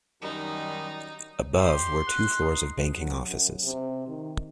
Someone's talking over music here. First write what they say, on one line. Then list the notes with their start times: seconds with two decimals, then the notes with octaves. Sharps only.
Above were two floors of banking offices.
0.22 F#2 D#3 G3 D#4
1.59 G4 C6
2.07 F#5
2.41 D#4
2.96 F#3
3.25 F#2
3.64 C3
4.07 D#3